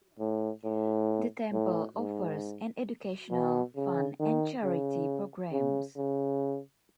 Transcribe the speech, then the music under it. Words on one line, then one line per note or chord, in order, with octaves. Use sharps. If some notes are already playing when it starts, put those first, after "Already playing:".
The temple offers an educational fund and charity programs.
A2
A2
A2
G#2
B2
C#3
D#3
C#3
C#3
C#3